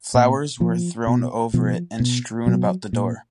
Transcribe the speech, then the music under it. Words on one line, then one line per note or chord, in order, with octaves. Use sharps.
Flowers were thrown over it and strewn about the door.
A#2
A#2 F3
B2
B2 F3
B2
B2 F#3
A#2